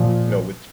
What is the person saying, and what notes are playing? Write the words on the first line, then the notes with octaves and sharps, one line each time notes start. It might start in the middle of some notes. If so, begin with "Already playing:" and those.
you know, with,
Already playing: A#2 F3